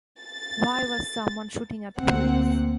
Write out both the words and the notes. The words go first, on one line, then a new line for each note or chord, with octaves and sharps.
Why was someone shooting at the police?
A6
D2 A#3 C4 F#5